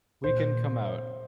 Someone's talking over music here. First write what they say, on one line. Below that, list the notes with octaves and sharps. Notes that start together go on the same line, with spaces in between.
We can come out.
A#2 C5